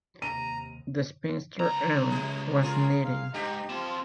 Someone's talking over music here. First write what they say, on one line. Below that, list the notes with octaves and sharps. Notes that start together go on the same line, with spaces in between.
The spinster aunt was knitting.
D#2 C3 A#5 D#7
C#2 A#5
G3
F4 G#4 A#4
F5
G#2 D#4 G4
C4 F4 A5